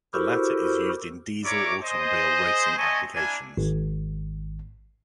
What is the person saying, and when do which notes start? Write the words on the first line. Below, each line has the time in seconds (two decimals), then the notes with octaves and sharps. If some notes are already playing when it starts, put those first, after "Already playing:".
The latter is used in diesel automobile racing applications.
0.14 E4 F#4 G4 A4 A#4 C5
1.45 E4 A#4 C#5 D5 C#6 D6
1.83 G#4 C5 D#5
2.78 A3 C4 D#5 G#5 A5 C#6
3.15 A#3 D4 E4 G#5
3.57 G#1